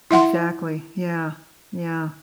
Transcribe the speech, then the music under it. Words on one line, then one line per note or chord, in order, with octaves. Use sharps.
Exactly. Yeah. Yeah.
E4 E5 F#5 C6